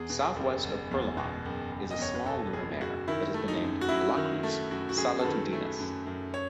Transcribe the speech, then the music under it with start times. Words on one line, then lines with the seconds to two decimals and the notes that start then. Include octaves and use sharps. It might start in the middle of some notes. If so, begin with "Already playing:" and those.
Southwest of Perel'man is a small lunar mare that has been named Lacus Solitudinis.
Already playing: E2 G#4
0.10 B2
0.36 F#1
0.64 F#1
0.91 E2
1.17 B2
1.45 F#1
1.71 F#1
1.91 D#5
1.99 E2 C#5
2.15 B4
2.26 B2 A4
2.53 F#1 G#4
2.81 F#1 F#4
3.08 D#3 E4
3.34 A3
3.48 D#4
3.62 F#2
3.81 F#4
3.89 F#2 E4
4.17 D#3
4.43 A3
4.70 F#2 F#4
4.89 F#4
4.97 F#2 G#4
5.19 A4
5.25 D#3 B4
5.53 A3
5.79 F#2
6.06 F#2
6.34 C#5